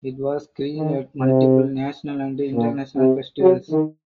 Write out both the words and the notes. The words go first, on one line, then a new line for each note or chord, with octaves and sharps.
It was screened at multiple national and international festivals.
D#3
C3
A#2
C3
F#3
D#3